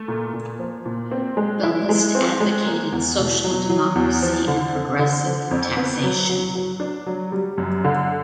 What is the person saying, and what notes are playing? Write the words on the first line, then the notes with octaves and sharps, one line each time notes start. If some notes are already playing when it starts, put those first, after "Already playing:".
The list advocated social democracy and progressive taxation.
Already playing: A3
A#2
A#2
F3
A#2
C4
G#3
E4
G#3
C4
G#3
A#3
E2
B2
F#3
F#3
E2
F3
D3
F2
D3
F3
F2
B3
F#3
F#3
F#3
D4
F#3
G3
F#2
D3